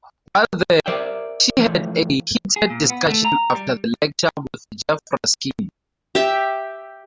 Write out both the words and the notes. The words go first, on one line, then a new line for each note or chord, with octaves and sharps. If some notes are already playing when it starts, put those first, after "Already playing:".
While there, she had "a heated discussion after the lecture" with Jef Raskin.
G4 A#4 C5 D5 E5 G5
E3 F3 A3
G#4
A#2
B3
A3
A#5
G3
G4 E5